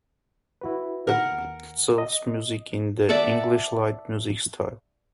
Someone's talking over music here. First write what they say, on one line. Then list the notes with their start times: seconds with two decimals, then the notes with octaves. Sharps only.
Addinsell's music is in the "English light music" style.
0.61 E4 F#4 B4
1.07 A#4 F#5
1.32 D#2
1.98 D#5
3.09 D5 E5 F#5 A5